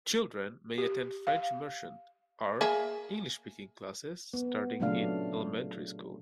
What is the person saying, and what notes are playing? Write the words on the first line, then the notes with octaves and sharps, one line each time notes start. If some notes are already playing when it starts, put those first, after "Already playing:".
Children may attend French immersion or English speaking classes starting in elementary school.
G4
F5
A#3 G#4 E5
B3
A#2 C#3 F#3 A3 D4 F5